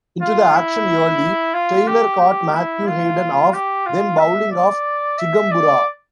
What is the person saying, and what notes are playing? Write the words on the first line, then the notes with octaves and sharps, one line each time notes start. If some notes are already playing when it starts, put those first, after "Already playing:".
Into the action early, Taylor caught Matthew Hayden off then bowling of Chigumbura.
F4
E4
F4
G4
G4
E4
F4
G4
F4
E5
D5
E5
D5